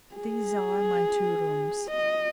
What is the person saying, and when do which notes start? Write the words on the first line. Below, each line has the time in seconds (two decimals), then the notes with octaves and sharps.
These are my two rooms.
0.15 G#4
1.91 D#5